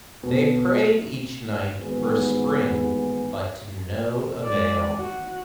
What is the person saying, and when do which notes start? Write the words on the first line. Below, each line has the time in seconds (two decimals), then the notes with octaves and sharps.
They prayed each night for a spring, but to no avail.
0.23 B2
1.80 A1 D#2 G#2 B3 F#4 G#4
4.44 G#3 D5
4.97 F#4